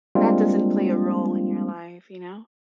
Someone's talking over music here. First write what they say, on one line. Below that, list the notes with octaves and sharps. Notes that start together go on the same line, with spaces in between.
that doesn't play a role in your life, you know?
G3 G#3 A#3 C4 D4 F4